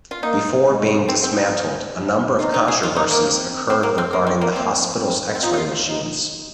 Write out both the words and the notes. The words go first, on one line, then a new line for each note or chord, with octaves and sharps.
Before being dismantled, a number of controversies occurred regarding the hospital's X-ray machines.
F4
A#3 D#4
G#3
C4
C4
D#4
D#4 F4
D#4
G#4
D#4 F4
D#4
A#3
C4
C4
A#3
C4
A#3
C4
A#3
A#3 C4
C4
C4
D#4 F4
D#4
F4
D#4